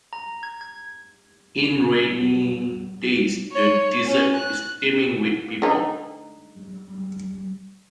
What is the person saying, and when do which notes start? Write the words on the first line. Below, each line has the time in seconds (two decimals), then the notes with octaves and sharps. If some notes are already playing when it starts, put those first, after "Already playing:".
In rainy days the desert is teeming with people.
0.13 A#5
0.43 G#6
0.61 G#6
3.51 C#5
4.06 C#4
4.36 F#6
5.62 D3 D#4